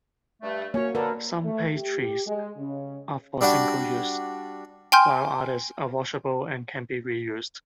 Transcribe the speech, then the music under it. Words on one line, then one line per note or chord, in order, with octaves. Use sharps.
Some pasties are for single-use, while others are washable and can be reused.
G2 A3
A#3 C#4 F#4 C#5
D3 A#4 B4
A3
G4
G#3
C#3
G3 D4 F#4 F#5
G5 G#5 C6 F6 G6